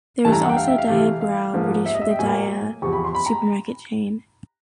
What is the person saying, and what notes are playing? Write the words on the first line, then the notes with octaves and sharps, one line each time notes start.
There is also Diabrau, produced for the Dia supermarket chain.
G2 E3 A3 A5
A#5
F#5
G5
F5
E5
F5
C3 E3 A3
F5
G#2 F3 A#3
E5
D#5
E5
G5
A2 F#3 A#3 G#5
E2 C3 F3 C#6
B5
C6
B5
A#5